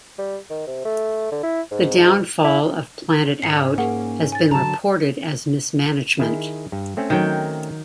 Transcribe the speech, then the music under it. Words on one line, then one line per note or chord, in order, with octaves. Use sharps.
The downfall of Planetout has been reported as mismanagement.
G3
D#3
C3
A3
D3
E4
G#2
E4
G#2 C#4 C7 C#7
A#3 G#4 A#4 F#5
G#5 A6
D3 F#3 A5 A#5
D#3 E4 G#4
G2
A3 C4 C#4
D#3 F#3 G5